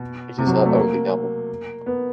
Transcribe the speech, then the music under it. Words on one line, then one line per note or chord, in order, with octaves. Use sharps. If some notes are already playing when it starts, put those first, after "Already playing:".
It is her only novel.
Already playing: B2
C3
F#3
A3
A#3
B3